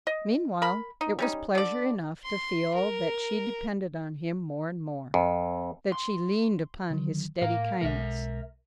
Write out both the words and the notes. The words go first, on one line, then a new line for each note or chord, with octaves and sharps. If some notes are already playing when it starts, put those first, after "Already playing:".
Meanwhile, it was pleasure enough to feel that she depended on him more and more, that she leaned upon his steady kindness.
D#5
A#4 B5
D#4
G3 C#4 D#4
D3 D5
C6
A#4
F2
C6
D3 D#3 F#3
A2 A#4 F5
B1 B2 G#3 A#4 E5